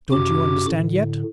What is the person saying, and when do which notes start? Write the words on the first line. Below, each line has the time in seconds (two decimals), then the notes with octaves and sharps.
"Don't you understand yet?"
0.11 F#2 C3 F#4 D6
0.67 A2 D3